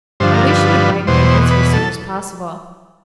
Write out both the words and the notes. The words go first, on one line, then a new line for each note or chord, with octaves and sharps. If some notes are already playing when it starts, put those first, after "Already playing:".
I wish you would write me an answer as soon as possible.
G2 D3 F3 C5
A#4
B4
E2 B2 C5
B4
A4